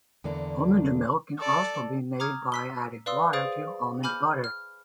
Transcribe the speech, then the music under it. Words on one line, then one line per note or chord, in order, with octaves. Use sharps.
Almond milk can also be made by adding water to almond butter.
E2 D3 A#3 D4
A4 D5
A#5 D6 D#6 F6 G#6
E6 B6 G7
B4 D5 F5 C6 D#6 E6
G#4 C5 F5 D#6 A6 D7
G#5 B5 D6 F6 G6
F6